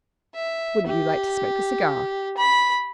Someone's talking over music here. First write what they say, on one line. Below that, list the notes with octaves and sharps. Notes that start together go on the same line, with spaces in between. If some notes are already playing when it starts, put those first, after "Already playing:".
Wouldn't you like to smoke a cigar?
E5
G4
B5